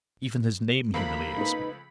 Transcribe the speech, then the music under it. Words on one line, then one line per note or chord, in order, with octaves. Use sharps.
Even his name humiliates me.
C#2 F3 A3 A#3 B5
D#4 B4